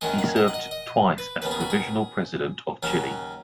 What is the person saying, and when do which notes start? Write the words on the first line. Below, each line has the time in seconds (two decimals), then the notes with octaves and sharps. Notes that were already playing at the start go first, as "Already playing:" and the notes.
He served twice as provisional president of Chile.
0.01 F#2 D#3 G#3 D#5
0.19 F#5
0.36 D#5
0.48 F#5
0.54 D#5
0.71 D#5
1.18 B4
1.42 D#2 C#3 B3 B4
1.51 G#4
1.61 F#4
1.70 G#4
2.83 D#2 C#3 F#3 C#4